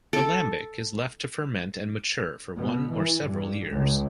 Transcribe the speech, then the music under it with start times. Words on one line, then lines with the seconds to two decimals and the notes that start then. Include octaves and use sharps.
The lambic is left to ferment and mature for one or several years.
0.13 A4
2.57 B2
2.94 E3
3.26 G2
3.70 C#2